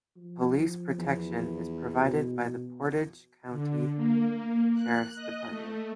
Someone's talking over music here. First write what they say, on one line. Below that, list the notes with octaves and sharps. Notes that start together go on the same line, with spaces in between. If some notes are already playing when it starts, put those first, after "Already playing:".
Police protection is provided by the Portage County Sheriff's Department.
F3
E2
B2
D3
A#3
F#6
D#5
A3